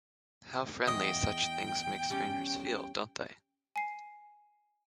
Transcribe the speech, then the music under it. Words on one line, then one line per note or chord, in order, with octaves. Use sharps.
How friendly such things make strangers feel, don't they?
E2 D#5 G5
G3 C#4 G4
G#5 C7